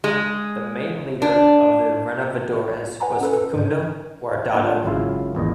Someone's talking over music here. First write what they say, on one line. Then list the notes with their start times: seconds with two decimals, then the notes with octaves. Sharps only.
The main leader of the Renovadores was Facundo Guardado.
0.04 G#3
1.22 D4
3.00 B4 F#5 G#5 A#5 B5
3.21 C#4 A4 B4
3.33 A4
3.56 G#2 G6
4.54 A#3 C4 D4 F4 A#4
4.85 G#1 F#2 C#3 E4 F4 F5
5.35 G#1 E2 A#2 D#5